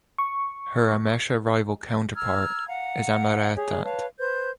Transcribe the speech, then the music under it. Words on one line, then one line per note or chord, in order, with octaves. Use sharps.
Her amesha rival counterpart is Ameretat.
C#6
A#5 E6 F6 G#6
F5 F#5 A#5
G4 G#4 C#5
B4 C#5 F5 A5
B4 C5 G6